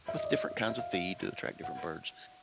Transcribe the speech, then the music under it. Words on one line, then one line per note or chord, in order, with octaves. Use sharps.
With different kinds of feed to attract different birds
E5
D#5
D5
D#5
E5
F5
F5
F#5